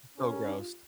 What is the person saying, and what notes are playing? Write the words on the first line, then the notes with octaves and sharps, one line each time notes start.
So gross.
C#4 G#4 C5
G4 A#4
D#4 G4
F4